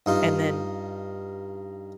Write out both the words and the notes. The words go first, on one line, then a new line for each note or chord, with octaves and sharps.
and then
G2 D#4 F4